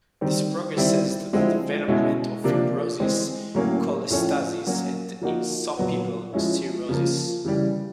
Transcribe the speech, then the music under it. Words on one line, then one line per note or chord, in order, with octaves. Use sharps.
This progresses to the development of fibrosis, cholestasis and, in some people, cirrhosis.
D#3 G3 C4
D#3 G3 C4 E4
D3 F3 G#3 C4 E4
B2 G#3 C#4 E4
C3 F3 A#3 D4
E3 G#3 C4
A2 F#3 A#3 C#4
A2 F3 A3 C#4
F#3 A#3 C#4 F#4
F3 A#3 D#4 F#4
A#2 F#3 B3
F3 G#3 C#4 E4
C#3 F3 A#3
C#3 E3 G3